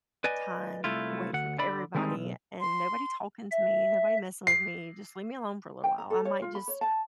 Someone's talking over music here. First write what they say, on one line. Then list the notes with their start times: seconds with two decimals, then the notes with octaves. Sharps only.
time away from everybody, and nobody talking to me, nobody messing with me. Just leave me alone for a little while. I might just
0.24 B4 D5 D#5 G#5
0.84 C2 A3 E4 F4
1.33 D2 F#5
1.58 D3 D5 B5
1.95 D#3 G3 G#3 C4 C#4 D#4
2.16 B1
2.60 C6
3.51 E5
4.47 C7
5.84 G5
5.98 A#5
6.10 A4
6.25 C#5
6.42 F4
6.55 B5
6.68 C#5
6.81 A5